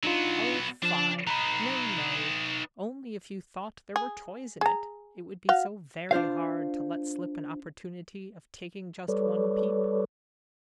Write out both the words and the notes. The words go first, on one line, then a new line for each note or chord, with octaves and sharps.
Oh, fie! No, no! Only, if you thought there were toys in it, it would be so very hard to let slip an opportunity of taking just one peep!
F#3 B3 D4 D#4 F4
F3 D4 A5
D#4 B4 A#5 B5
G#4
G#4 A#5
F#4 F5
D4 F4 C5 F5
G3 A4 B4 C#5 D5